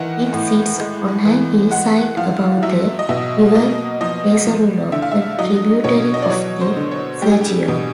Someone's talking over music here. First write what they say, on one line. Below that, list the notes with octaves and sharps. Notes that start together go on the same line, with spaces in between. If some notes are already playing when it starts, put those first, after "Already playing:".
It sits on a hillside above the river Esarulo, a tributary of the Serchio.
Already playing: D#3 E3 F#5
A2
G#3
E3
G#3 F#5
F3 F5
F#3 E5
D#5
B2 E5
A#3 D#5
F3 D#5
F3
D3 E5
F5
E5
F#3 D#5
B2 C#5
D#5
D5
F#3 C#5
C5
D3
C#5
G3 G4
G#4
G4
B2